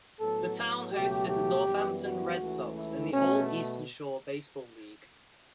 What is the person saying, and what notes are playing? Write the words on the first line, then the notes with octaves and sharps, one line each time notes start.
The town hosted the Northampton Red Sox in the old Eastern Shore Baseball League.
A2 F#3 B3 A4
C#2 B2 F#3 A3 G4
G4
F#2 E3 G3 B3
F#4
C#2 C#3 E3 A3
E4
B2 A3 C#4